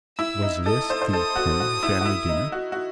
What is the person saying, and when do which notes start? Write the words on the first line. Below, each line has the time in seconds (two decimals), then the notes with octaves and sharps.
Was this the plain family dinner?
0.19 E4 E6
0.42 D#4
0.66 A4 D#6
0.90 C5
1.02 C5
1.13 A4 D#6
1.36 F#4
1.60 F#4
1.83 E4
2.01 F#4
2.06 E4
2.29 D#4
2.52 F#4
2.72 F#4